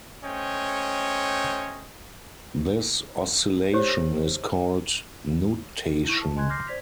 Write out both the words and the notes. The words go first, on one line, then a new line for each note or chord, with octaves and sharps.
This oscillation is called "nutation".
A3 C#4 C5 C#5 D#5 G5
G4 C5 C#5
E4 C#6
A5
D#5 G#5 C6 F#6 G#6
C6 D6 F6 G6 A#6 C7
C5 D5 G#6 B6 F7